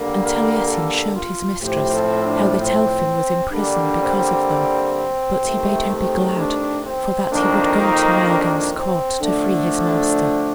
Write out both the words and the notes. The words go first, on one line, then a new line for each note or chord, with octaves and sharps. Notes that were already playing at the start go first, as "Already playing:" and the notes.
And Taliesin showed his mistress how that Elphin was in prison because of them; but he bade her be glad, for that he would go to Maelgan's court to free his master.
Already playing: D3 G3 A#3
A#4
A4
F4
A2 F3 C4 G4
A4
D4
C4
D3 G3 A#3 D4
C4
C3 D#3 A3
D4
C4
F2 D#3 A#3 D4
D#4
D4
C4
D3 F3 A3 D4